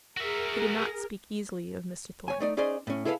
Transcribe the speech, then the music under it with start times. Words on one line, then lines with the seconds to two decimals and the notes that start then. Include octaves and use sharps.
He did not speak easily of Mr. Thornton.
0.17 F#4 G#4 A#4 E5
2.28 C#5 G#5
2.40 A3 D#4 D5
2.57 C#4 D#4 G#4 C5 D5 D#5
2.87 A2 C#4
3.05 E4 G#4 A4 B4 C#5 F5